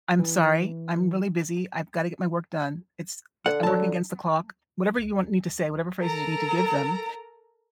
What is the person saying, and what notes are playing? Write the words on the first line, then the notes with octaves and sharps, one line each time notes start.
"I'm sorry, I'm really busy, I've gotta get my work done, it's I'm working against the clock", whatever you want me to say, whatever phrases you need to give them.
E3
D3 F#5
F#3 A5
A4 A#4 A#5